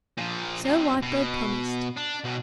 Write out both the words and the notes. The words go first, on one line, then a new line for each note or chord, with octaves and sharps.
So Whitebird promised.
A#2 F3
F#2 C3
B2
D4
B1 B2